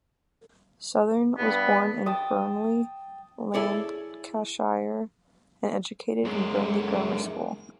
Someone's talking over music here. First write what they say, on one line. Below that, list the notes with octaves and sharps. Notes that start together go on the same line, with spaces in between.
Southern was born in Burnley, Lancashire and educated at Burnley Grammar School.
G2 B3
G5 A5 D#6
E4 G#4 A4 C#5 D5
F#2 G#3